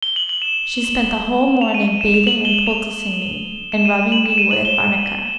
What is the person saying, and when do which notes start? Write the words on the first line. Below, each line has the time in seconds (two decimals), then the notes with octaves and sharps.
She spent the whole morning bathing and poulticing me, and rubbing me with arnica.
0.03 G7
0.16 F#7
0.29 F#7
0.42 E7
1.61 F7
1.74 D#7
1.88 D#7
2.01 E7
2.14 F7
2.27 F#7
2.45 G7
2.54 F#7
2.67 F7
3.72 E7
3.85 D#7
3.98 D#7
4.12 F#7
4.26 E7
4.38 D#7
4.51 F#7
4.65 G7